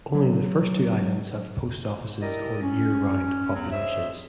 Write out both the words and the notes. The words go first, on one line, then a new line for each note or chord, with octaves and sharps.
Only the first two islands have post offices or year-round populations.
F#3
E4 G4 A#4 D5 D#5
C#4
E2 F#3
C5 C#5 D#5 E5